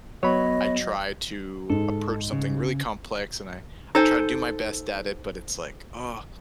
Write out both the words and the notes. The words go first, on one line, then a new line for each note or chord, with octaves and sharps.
I try to approach something really complex, and I I try to do my best at it, but it's like, "Ugh."
F#3 B3 C#5 D#5 B5
G#2 A4
C#3
D#4 A4 C5 G#5